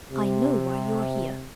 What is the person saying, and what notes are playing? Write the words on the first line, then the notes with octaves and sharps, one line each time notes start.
'I know why you are here.
C3